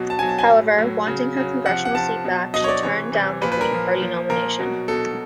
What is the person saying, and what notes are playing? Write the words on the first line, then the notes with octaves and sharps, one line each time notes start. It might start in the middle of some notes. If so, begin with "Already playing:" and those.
However, wanting her congressional seat back, she turned down the Green Party nomination.
Already playing: B2 F#3
A5
B2 F#3 G#5
A5
G#5
A2 F#3
A2 F#3
C#3 F#3
C#3 F#3
C3 F3 F#5
F#5
C3 F3 A5
B2 F#3
B2 F#3 D#5
C#5
D5
C3 E3 C#5
C3 E3
A#2 F3 B4
B4
A#4
A#2 F3
A#2 F3
A#2 F3 A#4
B2 F#3
B2 F#3 A4